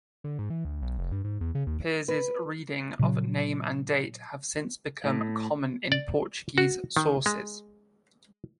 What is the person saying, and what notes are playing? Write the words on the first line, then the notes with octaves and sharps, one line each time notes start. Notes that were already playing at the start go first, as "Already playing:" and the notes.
Peres's reading of name and date have since become common in Portuguese sources.
D3
G#2
E3
D2
B1
F1
G2
G#2
E2
C#3
D#2
B4
A#2 C#3 F#3
A2
D5
F#4
D#3
G#3